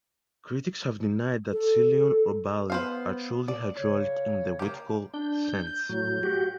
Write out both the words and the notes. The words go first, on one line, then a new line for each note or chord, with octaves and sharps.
Critics have denied that Ceylon or Bali are truly hydraulic in the Wittfogel sense.
A4
B3 B4 C5 F5
D5
C#3 C#5
C3 A#3 G4
D4 G6
G6
A2 F#3
F#4 G4